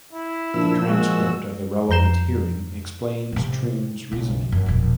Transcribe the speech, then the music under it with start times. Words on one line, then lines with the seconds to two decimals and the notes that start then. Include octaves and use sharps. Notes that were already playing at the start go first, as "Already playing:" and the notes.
The transcript of the relevant hearing explains Troon's reasoning.
0.13 E4
0.54 A#2 F3 D4 E6
0.87 G#3 F#4
1.89 F2 F3 A#5 G6 C7 E7
3.32 A2 C3
4.12 B1 C#3
4.52 F#2
4.66 E1 A#1